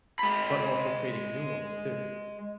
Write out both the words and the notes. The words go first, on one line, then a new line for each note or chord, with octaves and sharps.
but also creating new ones, too.
G#3 B5